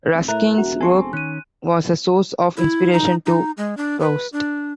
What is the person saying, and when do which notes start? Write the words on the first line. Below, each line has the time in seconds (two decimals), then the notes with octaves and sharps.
Ruskin's work was a source of inspiration to Proust.
0.14 F1
0.28 A2 A#4 E5 A#5 F#6
0.58 E1 F#4
0.81 C4 G#4 A4 G#5 C6 C#6
1.13 D#3 C#4 F#6 D#7
2.57 E4
2.93 D#4
3.26 D#4
3.57 G#3
3.77 D4
4.01 B4
4.33 D4